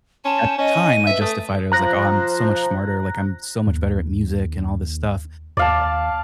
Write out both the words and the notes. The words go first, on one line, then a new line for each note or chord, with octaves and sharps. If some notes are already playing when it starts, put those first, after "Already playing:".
At the time, I justified it, I was like, "Oh, I'm so much smarter, like, I'm so much better at music, and all this stuff,"
C#4 A5 C6
G6
C#4 D#5 D#7
B4 E5
A3 D#6
F3 C5 A#5 F#6 A#6
D#2
D#2 D5 F5 A5